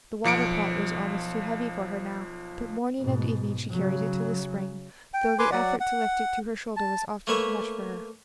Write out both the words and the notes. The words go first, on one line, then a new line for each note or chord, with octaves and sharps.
The water-pot was almost too heavy for her now, but morning and evening she carried it to the spring, though the effort to lift it to her shoulder was often too much for her.
B1 F3 C#7 D7
G#2 B2
C#3 F#3
G5
B4 G#5 C6 D6
F#3 D5 F#5
F#5
A5
A3 A#3 B4 C#5 E5